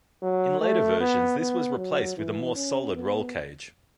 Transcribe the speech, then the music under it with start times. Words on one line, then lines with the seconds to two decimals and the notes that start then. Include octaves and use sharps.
In later versions this was replaced with a more solid roll cage.
0.22 F#3
0.61 A3
1.00 B3
1.39 B3
1.77 F#3
2.17 E3
2.55 C#4
2.95 B3